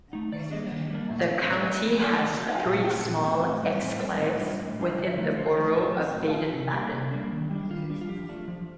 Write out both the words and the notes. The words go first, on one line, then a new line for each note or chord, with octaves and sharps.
The county has three small exclaves within the borough of Baden-Baden.
A3 D#4
D#3 D5
G3 A#3 D4 D#5
D#3
G3 A#3 D4
A2
A3 C4
A2 D5
A3 C4
F3
A3 D#4
A4
F3 A#4
A3 D#4
F4
A#2 G4
A3 C4 A4
A#2
A3 C4
A2
G3 C4
A2 C5
G3 C4 A4
A#4
A2 C5
G3 D4 F4 D#5
A2
G3 D4 F4
D3
F3 A3 D#4
D3 C5
F3 A3 D#4 A#4
A2 A4
F3 C4
A2
F3 C4 F4
G4
C3 A4
G3 A#3 D4 G4
C3
G3 A#3 D4
D#3
G3 D4
D#3 F4
G3 D4
F4
F3 G4
A3 D4 F4
F3